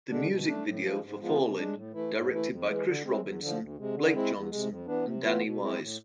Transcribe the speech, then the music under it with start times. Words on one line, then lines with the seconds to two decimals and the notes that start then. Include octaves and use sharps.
The music video for "Fallin'", directed by Chris Robinson, Blake Johnson and Danny Wise.
0.09 D3 G#3 D4
0.27 B2
0.46 A3 D4
0.64 A2
0.82 F3 G#3
1.01 G#2
1.19 F3 G#3 B3 F4
1.37 C3
1.56 G#3 D4
1.74 A2
1.93 E3 A3 E4
2.11 G#2
2.30 E3 A3 E4
2.48 F2
2.66 E3 G#3
2.84 D3
3.02 G#3 C4
3.21 E2
3.39 D3
3.44 F3
3.58 D2
3.77 C3 G#3
3.94 D3
4.12 G#3 C4 E4
4.31 E2
4.49 C3 G#3
4.68 F2
4.86 E3 B3 D4
5.04 C3
5.23 E3 B3 F4
5.42 B2
5.60 G#3 C4 E4
5.79 A2